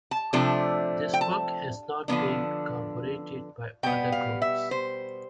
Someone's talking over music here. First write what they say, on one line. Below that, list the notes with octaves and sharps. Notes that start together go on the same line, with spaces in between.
This work has not been corroborated by other groups.
A5
C3 F3 A3 D4
G5
A5
D3 F3 B3 D4
B2 G3 B3 G5
F5
E5
C5